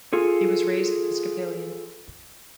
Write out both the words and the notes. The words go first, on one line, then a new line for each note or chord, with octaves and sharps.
He was raised Episcopalian.
F4 G#4 A4